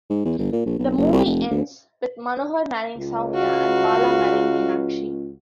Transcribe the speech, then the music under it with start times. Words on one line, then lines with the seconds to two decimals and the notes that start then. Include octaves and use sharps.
The movie ends with Manohar marrying Sowmya and Bala marrying Meenakshi.
0.10 G#2
0.25 E2
0.38 G1
0.53 A#2
0.66 A#1
0.79 B1
0.97 F#1
1.12 C2
1.25 F1
1.50 D2
2.96 C#2
3.34 F#4 F5